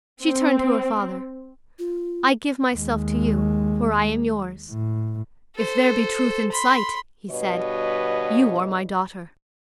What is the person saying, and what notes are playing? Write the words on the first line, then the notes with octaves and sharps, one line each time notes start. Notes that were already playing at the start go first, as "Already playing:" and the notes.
She turned to her father--"I give myself to you, for I am yours." "If there be truth in sight," he said, "you are my daughter."
C4
F4
D#2 G#3
A2
A4 C5
B5 C6
G2 B2 F#4 B4 C#5 D#5